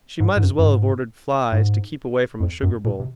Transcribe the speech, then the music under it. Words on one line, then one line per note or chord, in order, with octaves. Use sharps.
She might as well have ordered flies to keep away from a sugar-bowl.
G#2
G#2
F#2
F#2
G#2
G#2
F2
F#2
A#2
C3